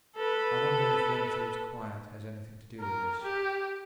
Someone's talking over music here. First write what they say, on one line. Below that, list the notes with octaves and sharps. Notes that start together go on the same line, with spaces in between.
I wonder if Renfield's quiet has anything to do with this.
A4 B4
A#4
G4